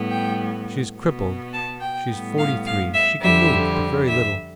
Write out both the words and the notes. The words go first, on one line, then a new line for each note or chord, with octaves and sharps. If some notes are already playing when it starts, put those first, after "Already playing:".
She is crippled, she is forty-three; she can move, but very little.
Already playing: A2 G3 B3
G5
B2 B3
A5
G5
A2 G3 B3
F5
F5
E5
F2 D3 G3 E5
E5